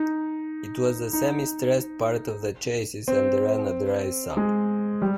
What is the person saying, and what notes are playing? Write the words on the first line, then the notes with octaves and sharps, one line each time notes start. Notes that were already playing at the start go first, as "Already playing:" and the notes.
It was a semi-stressed part of the chassis and ran a dry sump.
Already playing: D#4
D#4
C4
G#3
G3